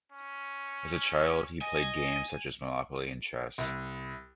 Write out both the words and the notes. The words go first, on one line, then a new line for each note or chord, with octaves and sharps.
As a child he played games such as "Monopoly" and chess.
C#4
D#5 G#5
C2